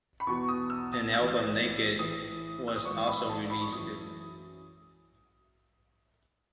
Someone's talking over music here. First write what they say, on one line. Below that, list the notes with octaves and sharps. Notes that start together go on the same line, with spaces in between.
An album, "Naked", was also released.
B5
E2 B2 C#6
D#6
E6
D#6
A2 E3 E6
E6
A2 E3 D#6
E6
D#6
G#2 E3 C#6
B5
A5
B5
C#6
F#2 E3 D#6